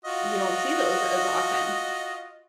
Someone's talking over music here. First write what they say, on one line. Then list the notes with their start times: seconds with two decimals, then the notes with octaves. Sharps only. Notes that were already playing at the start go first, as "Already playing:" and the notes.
you don't see those as often,
0.05 F4 F#4 D#5